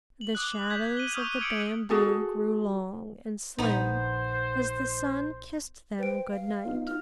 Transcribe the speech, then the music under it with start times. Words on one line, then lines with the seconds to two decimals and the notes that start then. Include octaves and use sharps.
THE shadows of the bamboo grew long and slim as the sun kissed them good night.
0.21 F#7
0.35 D6 D#6 F#6
0.70 G6 G#6 B6
0.97 D#7 G7
1.13 C#6 D#6 F6 G6 F7
1.40 D6 E6 G#6 C#7 D7 F#7
1.90 F#4 G#4 A4
3.58 A#1 B3 D#4 C5
5.99 B4 C5 G5 D7
6.31 F5
6.66 B3 D#4 F4
6.87 D#4 F4 F6